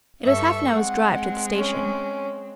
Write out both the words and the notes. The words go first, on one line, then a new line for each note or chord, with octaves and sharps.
It was half-an-hour's drive to the station.
G2 A4 E5 C#6
G#3 C4 F#5
C#4